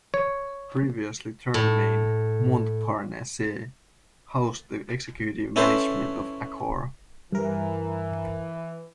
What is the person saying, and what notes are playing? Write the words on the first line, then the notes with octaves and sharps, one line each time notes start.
Previously Tour Maine-Montparnasse housed the executive management of Accor.
C#5
A2
C#4 E4 A4 B4 C5
G2 E3 A#4